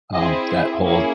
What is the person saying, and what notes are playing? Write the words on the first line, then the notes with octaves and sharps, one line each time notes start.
um, that whole
C4 E4 G#4 D#5
E5
A#3 C#4 E4 G#4